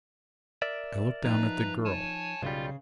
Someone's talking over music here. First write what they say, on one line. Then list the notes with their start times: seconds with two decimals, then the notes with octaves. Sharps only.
I looked down at the girl.
0.62 A#4 D5 E5
1.24 F3 D#4 B4 A#5
1.85 C#5 G#5 A5
2.42 B1 C#3 G3 F4